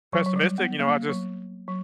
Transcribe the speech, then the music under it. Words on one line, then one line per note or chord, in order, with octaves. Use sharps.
pessimistic, you know, I just
F#3
F#3
G3
B3
A#3
F#3
F#3